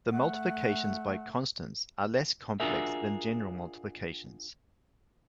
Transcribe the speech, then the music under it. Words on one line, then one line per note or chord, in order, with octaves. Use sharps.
The multiplications by constants are less complex than general multiplications.
A3 F#5
D4 F4 F#4 G#4 A#4 E5